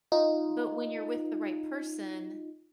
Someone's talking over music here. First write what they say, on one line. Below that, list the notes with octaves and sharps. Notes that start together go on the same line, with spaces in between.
but when you're with the right person,
D#4 F4